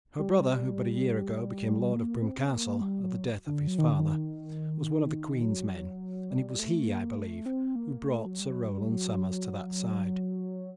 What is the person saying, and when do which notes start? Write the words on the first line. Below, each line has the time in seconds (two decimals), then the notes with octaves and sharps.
Her brother, who but a year ago became lord of Broomecastle at the death of his father, was one of the queen's men, and it was he, I believe, who brought Sir Roland Somers to that side.
0.19 G3
1.94 A#3
2.22 C4
2.51 A#3
2.81 G3
3.03 F#3
3.46 D3
3.67 F#3
3.78 D#3
3.89 D3
3.99 D#3
5.42 F#3
6.30 G3
6.50 G3
6.59 A3
6.87 A#3
7.17 A3
7.46 C4
7.75 A#3
8.05 A3
8.26 F#3
8.40 G3
8.49 F#3
8.70 G3
8.92 F#3